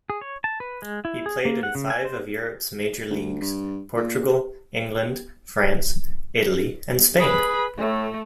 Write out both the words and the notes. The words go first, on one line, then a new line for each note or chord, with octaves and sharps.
He played in five of Europe's major leagues: Portugal, England, France, Italy and Spain.
G#4
C#5
A5
B4
G#3
E4
G#4
A#3
F#5
C#3
G#5
C5
D2
G2
A#2
G#4 B4 B5
A2 A3